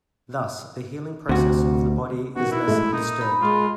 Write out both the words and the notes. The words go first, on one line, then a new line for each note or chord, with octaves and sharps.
Thus, the healing process of the body is less disturbed.
D2 C3 F#4
B2 D#3 F#4
E4
A1 G#3 A3
A#2 D#4
B5
G#3 F4